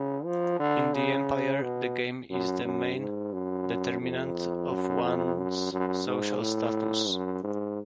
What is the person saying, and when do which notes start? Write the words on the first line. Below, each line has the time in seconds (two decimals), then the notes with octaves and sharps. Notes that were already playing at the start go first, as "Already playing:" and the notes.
In the empire, the game is the main determinant of one's social status.
Already playing: C#3
0.25 F3
0.59 D3
0.93 C#3
1.62 B2
2.30 F#2
2.64 F#2
2.98 G#2
3.33 F#2
4.01 F2
4.70 F#2
5.04 F2
5.38 F#2
5.73 F#2
6.07 G#2
6.40 A2
7.09 F#2
7.43 G#2